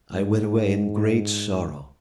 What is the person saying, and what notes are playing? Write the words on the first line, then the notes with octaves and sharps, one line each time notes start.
I went away in great sorrow.
G#2